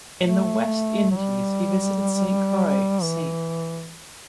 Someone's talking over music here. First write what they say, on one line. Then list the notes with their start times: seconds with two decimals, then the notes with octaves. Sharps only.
In the West Indies, he visited Saint Croix, Saint.
0.22 A3
1.11 F#3
1.16 G3
3.03 E3